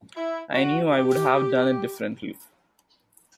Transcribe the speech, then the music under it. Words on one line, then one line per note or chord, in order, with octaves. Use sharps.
I knew I would have done it differently.
E4
F#4
G4